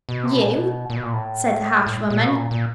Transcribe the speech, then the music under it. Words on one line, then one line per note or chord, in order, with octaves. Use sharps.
"You!" said the harsh woman.
B2
C3
B2
A#2
B2
A#2
B2
A#2
A2
A2
A#2
B2
A#2
A#2